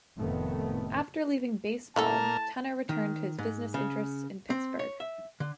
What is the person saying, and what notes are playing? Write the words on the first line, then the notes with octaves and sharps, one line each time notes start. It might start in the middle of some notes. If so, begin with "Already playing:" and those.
After leaving baseball, Tener returned to his business interests in Pittsburgh.
F1 F2 A2 D#3 A3 B3
A#2 A3 A#3 E4 A4 A#4 A5
D#3
G#2
C#3
C4
C#5
E5
D3